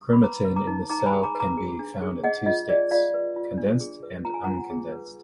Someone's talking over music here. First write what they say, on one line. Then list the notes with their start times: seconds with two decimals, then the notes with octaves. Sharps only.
Chromatin in the cell can be found in two states: condensed and uncondensed.
0.13 B5
0.22 B4 A#5 D6
0.45 B4
0.56 A#5 D6
0.67 D#4
0.90 D#4 A#5 D6
1.00 A#5
1.06 G#5 B5
1.12 G#4
1.23 A#5 D6
1.35 B4
1.40 A#5 D6
1.57 G#4
1.79 D4
2.02 G#4
2.24 G#4 D#5 F#5
2.46 F4 D#5
2.69 G#4 D5
2.91 F4 D5 F5
3.14 B4
3.36 F4
3.58 D4
3.81 G#4
4.03 B4
4.24 F4 A#5
4.34 G#5
4.44 F4 F#5 A#5
4.70 G#4
4.92 B4